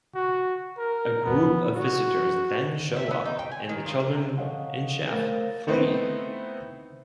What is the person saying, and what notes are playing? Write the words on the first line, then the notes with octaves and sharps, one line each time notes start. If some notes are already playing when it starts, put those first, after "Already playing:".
A group of Visitors then show up, and the children and Chef flee.
F#4
A#4
B3
F#4
E5
B3
D#4
G5
G#5
D#3
F4
A#4
A4 C#5 D#5 F5 F#5 G#5
A3 A#4 C5 F5 A6 A#6
A3 B3 C4 D#4 E4